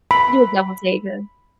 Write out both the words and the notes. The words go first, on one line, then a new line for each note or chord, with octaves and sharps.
Do a double taker.
B5